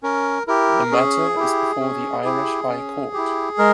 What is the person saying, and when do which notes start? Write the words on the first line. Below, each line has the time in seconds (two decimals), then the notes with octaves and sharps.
The matter is before the Irish High Court.
0.03 C#4 A#4
0.47 E4 G4 A#4
0.92 C#4 G#4
1.36 E4 G4
1.80 C#4
2.25 E4 G4
2.69 C#4
3.14 E4 G4
3.58 G#3 A#4